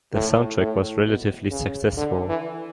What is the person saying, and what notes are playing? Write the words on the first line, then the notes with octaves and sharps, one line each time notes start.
The soundtrack was relatively successful.
A2
A2
B2
C#3
D3
E3